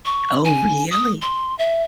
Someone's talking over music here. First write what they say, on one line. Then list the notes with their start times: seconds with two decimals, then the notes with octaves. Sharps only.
Oh, really.
0.05 C#6
0.45 G#5
0.91 D#6
1.22 C6
1.59 E5